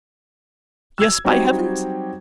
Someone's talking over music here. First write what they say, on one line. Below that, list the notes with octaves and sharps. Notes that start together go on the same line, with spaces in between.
Yes, by heavens!
E6 G#6
F#3 G3 C4 D#4 F#4 G4